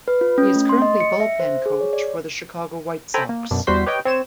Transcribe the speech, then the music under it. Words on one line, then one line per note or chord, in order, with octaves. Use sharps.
He is currently bullpen coach for the Chicago White Sox.
B4
F4
C#4
A3
C6
D#5
C#7
E5
C5
G#4
C#5
D5
A4 C5 G5 G#5 A#5 B5
A#3
F#2 B2 D4
E2 G3 F#4 C5 C6 B6
G4 B4 C#5 D#5 G5
C4 C#5 E7